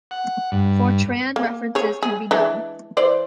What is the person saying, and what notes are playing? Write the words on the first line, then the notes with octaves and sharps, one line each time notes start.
Fortran references can be null.
F#5
G2
A#3
G#4 C#5
G#4
E3 G#3 D4
E3 C5 D5